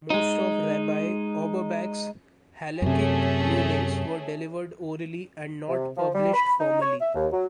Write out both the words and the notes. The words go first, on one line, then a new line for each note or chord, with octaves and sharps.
Most of Rabbi Auerbach's halachic rulings were delivered orally and not published formally.
G#3 D#4
F#2 C3 A3 C#4 G#4
C3
F3
G3
B5
D#4
C#5
E5
D#2
F#3